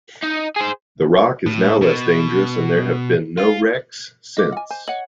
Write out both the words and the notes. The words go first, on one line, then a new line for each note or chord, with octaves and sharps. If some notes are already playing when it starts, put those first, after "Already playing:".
The rock is now less dangerous and there have been no wrecks since.
D#4
G#4 C5
A2
B2
F4
F4 D#5 D6
F#5 G#5
C5 G#5
C#5 D#5 F#5 F#7